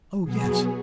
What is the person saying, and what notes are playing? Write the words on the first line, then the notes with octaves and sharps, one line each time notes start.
"Oh, yes."
B2 F#3 B3 G#4